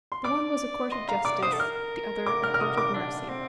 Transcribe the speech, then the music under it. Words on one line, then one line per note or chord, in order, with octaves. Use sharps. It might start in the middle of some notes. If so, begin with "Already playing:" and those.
The one was a court of justice, the other a court of mercy.
C6
D5 D6
D#5 C6
F5 A#5
D5 D6
C5 D#6
A4
A#4 F6
D6
F6
F6
D#6
D6
D4
C4